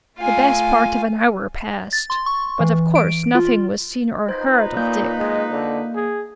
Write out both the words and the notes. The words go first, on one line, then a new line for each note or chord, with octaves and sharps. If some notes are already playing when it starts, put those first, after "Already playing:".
The best part of an hour passed, but of course nothing was seen or heard of Dick.
A3 F4 F5 G#5
A6
C6
C#6
E3
D7
F4
D#4 F4 B4 C5
A#2 A#3 G6
G#3
D3
G#4